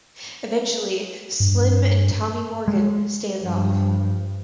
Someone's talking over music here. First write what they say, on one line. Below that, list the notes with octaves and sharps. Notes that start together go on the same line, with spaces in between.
Eventually, Slim and Tommy Morgan stand off.
G2
G#3
G2 F3